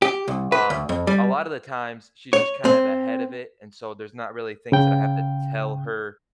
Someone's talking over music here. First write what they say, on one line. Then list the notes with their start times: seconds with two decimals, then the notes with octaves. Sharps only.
um, a lotta the times she's just kind of ahead of it and so there's not really things that I have to tell her,
0.02 G4
0.28 C2
0.52 B4
0.70 D2
0.89 F2
1.07 G3
2.33 C#5
2.65 C4
4.72 C#3 G5